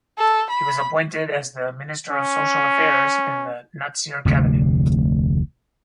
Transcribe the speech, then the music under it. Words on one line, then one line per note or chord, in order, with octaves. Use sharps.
He was appointed as the Minister of Social Affairs in the Natsir Cabinet.
A4
B5
C#4
F1 D2 C3